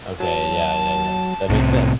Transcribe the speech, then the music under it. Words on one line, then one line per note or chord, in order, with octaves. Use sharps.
Okay, yeah, yeah, yeah. That makes sense.
F#3 A5
C2 A2 C3